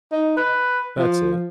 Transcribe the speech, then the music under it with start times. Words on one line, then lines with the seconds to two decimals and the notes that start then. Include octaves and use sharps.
That's it.
0.12 D#4
0.37 B4
0.99 F3